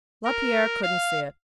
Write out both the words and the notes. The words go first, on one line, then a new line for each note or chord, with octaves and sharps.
Lapierre couldn't see it.
A#4
F5